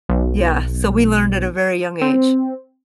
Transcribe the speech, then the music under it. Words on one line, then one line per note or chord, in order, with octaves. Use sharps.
Yeah. So we learned at a very young age.
B1
C4